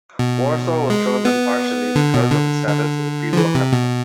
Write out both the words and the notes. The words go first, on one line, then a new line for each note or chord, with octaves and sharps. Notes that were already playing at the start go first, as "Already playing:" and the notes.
Warsaw was chosen, partially, because of its status as a pre-war capital.
B2
G#3
B3
D3
B2
D3
D3
F3
E3
C3
B2